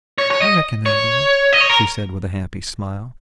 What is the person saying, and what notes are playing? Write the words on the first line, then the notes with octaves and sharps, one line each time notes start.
"I reckon I will," she said with a happy smile.
C#5
C#5
D#5
C#5
D#5
C#5
A#4